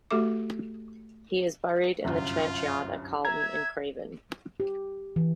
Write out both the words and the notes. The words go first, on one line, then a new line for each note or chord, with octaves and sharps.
He is buried in the churchyard at Carleton-in-Craven.
A3 F#4 G4 A4 E5 D6
G1 C2 F#2 F4
E5 A#5 G#6
G4
E3